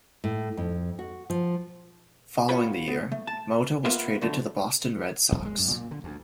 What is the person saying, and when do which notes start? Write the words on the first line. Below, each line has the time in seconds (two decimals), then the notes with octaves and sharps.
Following the year, Mota was traded to the Boston Red Sox.
0.24 A2
0.57 F2
0.99 F#4
1.30 F3
2.49 B3 F4 G4 C#5 B5
2.88 B3
3.12 A3
3.27 A5
3.85 A#3 B3 F4 A#4 B4 E5
4.21 B2 D3 F#3 A3
5.32 F2
5.45 G#3
5.58 F#2
5.71 A#2
5.91 D3
6.04 D2